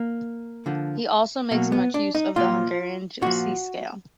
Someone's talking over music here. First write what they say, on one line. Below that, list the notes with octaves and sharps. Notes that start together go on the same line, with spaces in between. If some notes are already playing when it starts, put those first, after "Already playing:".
He also makes much use of the Hungarian gypsy scale.
Already playing: A#3
D3 F3
B2 F#3 A#3
B3
D4
D#4
A#2 F3 F4
A#2 F3 F#4